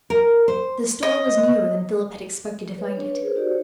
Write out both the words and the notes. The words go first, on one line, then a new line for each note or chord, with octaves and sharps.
The store was nearer than Philip had expected to find it.
A#4
C5
D#5
B4 C#5
C#4 D4 C#5
B4
G#4 A#4 C5
D#4 F#4 G4 C5 D5
C5 C#5